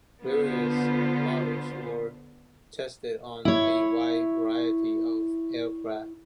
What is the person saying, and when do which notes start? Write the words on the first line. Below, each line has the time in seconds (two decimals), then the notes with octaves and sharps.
Various models were tested on a wide variety of aircraft.
0.24 D3 B3 F4 C5
3.45 E4 C#5